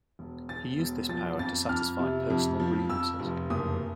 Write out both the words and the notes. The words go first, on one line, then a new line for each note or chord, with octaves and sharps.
He used this power to satisfy personal grievances.
E1
E2 A6
E1
F3 A6
F2 A6
F2 F6
C3
F2
F3
F2 E6
F1
F#1 D#6